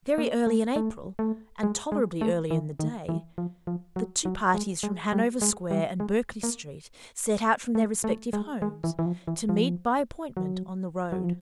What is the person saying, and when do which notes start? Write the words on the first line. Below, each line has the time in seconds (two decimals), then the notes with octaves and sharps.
Very early in April, and tolerably early in the day, the two parties from Hanover Square and Berkeley Street set out from their respective homes, to meet, by appointment, on the road.
0.18 A#3
0.47 A3
0.76 A3
1.19 A3
1.63 G#3
1.92 G#3
2.21 A3
2.51 E3
2.79 D#3
3.09 E3
3.38 F3
3.67 F3
3.96 F#3
4.25 F#3
4.54 G#3
4.83 G#3
5.13 G3
5.42 G#3
5.71 G3
6.00 G#3
6.43 A#3
7.75 A3
8.04 A3
8.33 G#3
8.62 G#3
8.84 E3
8.99 E3
9.06 F3
9.27 E3
9.49 F3
10.37 F#3
11.12 F#3
11.24 F3